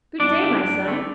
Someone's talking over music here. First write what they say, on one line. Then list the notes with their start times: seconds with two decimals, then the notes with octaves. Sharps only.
'Good day, my son!
0.20 G2 D4 D5
0.41 D3 A3
0.63 G2
0.85 D3 A3